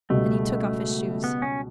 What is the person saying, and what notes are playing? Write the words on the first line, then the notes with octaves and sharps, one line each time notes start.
And he took off his shoes.
C#2 B2 G3 A3
B3
C#4